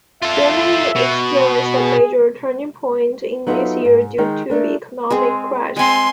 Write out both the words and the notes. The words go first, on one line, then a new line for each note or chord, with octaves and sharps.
Germany experienced a major turning point in this year due to the economic crash.
F4 A4 E5
B2
G#4
F#3 B3 D#4 F4 A4 E5
G#2
D#3 G#3 D#4 G5
A3 D4 A#4
G#3 C4 G#4
G#3 C4 G#5 C6